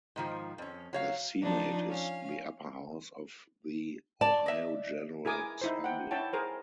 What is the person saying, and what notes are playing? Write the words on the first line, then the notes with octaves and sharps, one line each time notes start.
The senate is the upper house of the Ohio General Assembly.
G#2 D#3 F3
F2 C#4
F#3 C#5 F5
F3 D4 D#4
C#4 F5
D5 A5
D#5 E5
E4 G#4 A#4 G#5 D6 D#6
D#4 E4 C5
F#5 G5
E4 C#5 F#5 G5 A5
G#4 A#4 C5